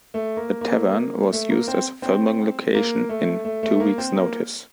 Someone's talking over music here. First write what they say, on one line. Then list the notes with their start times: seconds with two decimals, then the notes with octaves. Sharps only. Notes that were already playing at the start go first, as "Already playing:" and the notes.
The Tavern was used as a filming location in "Two Weeks Notice".
0.14 A3
0.37 A#3
0.61 A#3
1.32 A3
1.50 A#3
1.68 C4
2.02 C4
2.74 A#3
3.09 A3
3.45 A3
3.63 A3
3.80 A#3
3.98 C4
4.16 A#3